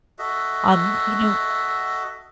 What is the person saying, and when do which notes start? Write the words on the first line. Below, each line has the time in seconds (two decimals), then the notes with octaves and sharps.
Um, you know
0.19 F#4 A4 D#5 E5